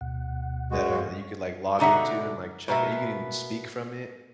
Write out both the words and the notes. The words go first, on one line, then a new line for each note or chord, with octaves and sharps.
that are that you could, like, log into and, like, check and you can even speak from it.
D2 B2 F#5
G#3 F#4
G2 F5 C#6
B2 D3 D#4 E5 F#5
B2 A#3 B3 E5